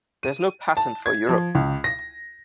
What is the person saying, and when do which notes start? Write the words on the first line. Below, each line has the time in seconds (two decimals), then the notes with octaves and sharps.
There is no patent for Europe.
0.23 D#7
0.77 A5
1.06 G#6
1.29 F3
1.55 C#2
1.84 A#6